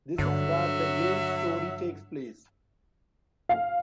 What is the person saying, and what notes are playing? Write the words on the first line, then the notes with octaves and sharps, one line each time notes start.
This is where the game's story takes place.
G2 D3 F#3 E5
F5